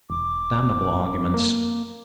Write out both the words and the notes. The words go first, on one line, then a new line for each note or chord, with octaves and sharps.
Damnable arguments!
E1 D6
A#3